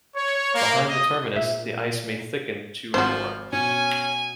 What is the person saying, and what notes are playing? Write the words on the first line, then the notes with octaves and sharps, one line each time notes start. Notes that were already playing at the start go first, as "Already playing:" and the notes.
Behind the terminus, the ice may thicken to or more.
C#5
A#3
D#5
A#2 E5
G#1 F3 F#4 C5
B2 C#4 G#5